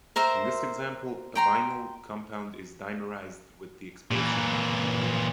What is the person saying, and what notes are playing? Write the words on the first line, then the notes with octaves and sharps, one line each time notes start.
In this example, a vinyl compound is dimerized with the expulsion of ethene.
A#4 C5 E5 C6
G5 A#5 C6
A#2 E3